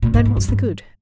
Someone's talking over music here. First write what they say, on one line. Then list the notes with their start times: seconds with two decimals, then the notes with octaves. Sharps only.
"Then what's the good?"
0.02 A#2
0.14 G#2
0.25 G#2
0.37 F#2
0.48 G2